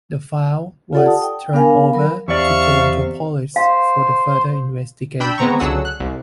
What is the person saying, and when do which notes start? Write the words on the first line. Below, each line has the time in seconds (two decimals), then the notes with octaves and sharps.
The file was turned over to Toronto Police for further investigation.
0.93 F4 G4 A4 D5 F#5
1.06 A5 D#6
1.22 G5
1.53 B3 D4 A#4 F5 G#5
1.93 F#3 A#4 B5
2.28 E2 C3 D5 E5 F5 C#6
3.56 C5 F5
5.20 D4 G5 B5 E6 G6
5.38 G#3 B3 C4 A#5 C#6
5.60 C#2 D3 F#3 G#4 F#5 E6
5.85 F#6
6.00 C2